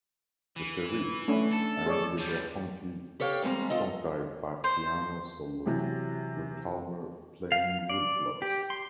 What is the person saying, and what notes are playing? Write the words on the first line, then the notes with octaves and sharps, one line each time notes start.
"The Sheriff" ends with a honky tonk-type piano solo with Palmer playing woodblocks.
E3
A3 C#4 D4
A4
G#4 C#5 D5
D3 G3
G4 A4 C#5 F5 G5
E2 G3 G#3 C4 A#5
F4 A4 D#5
C5
C3 E3 F#3 G4
F5
D5
G4
C6